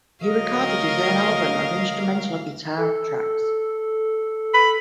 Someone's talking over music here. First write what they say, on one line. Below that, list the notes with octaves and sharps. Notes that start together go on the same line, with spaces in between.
He recorded his own album of instrumental guitar tracks.
D2 F#3 A#4 D#5 F5
A4
B5